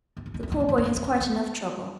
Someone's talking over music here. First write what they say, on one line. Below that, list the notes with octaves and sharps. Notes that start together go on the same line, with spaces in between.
"The poor boy has quite enough trouble."
D4
E4
D4
E4
D4
B3
C4
D4
E4
E4
D4
B3